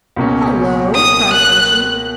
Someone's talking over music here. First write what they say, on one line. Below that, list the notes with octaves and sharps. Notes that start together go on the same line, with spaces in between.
"Hullo!" cried Archy.
C#2 B2 A#3 C#4
D#6
F#6